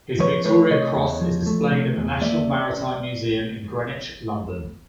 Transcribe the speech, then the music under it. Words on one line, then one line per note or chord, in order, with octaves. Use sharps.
His Victoria Cross is displayed at the National Maritime Museum in Greenwich, London.
F3 B4 C#5
A3 B4 C#5
C3 C#5 D#5
E2
F3
A3
C3
E2
A#3 D5 E5
C#4